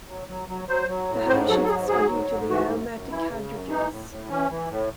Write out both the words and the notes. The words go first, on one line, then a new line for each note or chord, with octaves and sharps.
The higher shifts are due to the aromatic hydrogens.
F#3
F#3
F#3
F#3 C5
F#3
A2
G#2 C5
F#3 A4
A4
G#2 G#4
F#3 G#4
G#2
G#2
E3 F#4
F#2
F#2
E3 E4
C#3
F#2
E3 D#4
A2
A2
E3 C#4
E3
A2